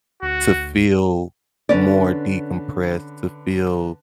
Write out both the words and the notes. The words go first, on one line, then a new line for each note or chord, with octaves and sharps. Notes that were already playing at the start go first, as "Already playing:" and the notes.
to feel more decompressed, to feel,
D2 F#4
D3 C#4 B4 D5